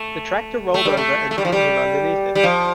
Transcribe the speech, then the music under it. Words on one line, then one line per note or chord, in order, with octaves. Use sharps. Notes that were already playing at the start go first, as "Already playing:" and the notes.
The tractor rolled over and pinned him underneath it.
Already playing: A3
A3
G3
A3
A3
G3
F3
G3
G3
F3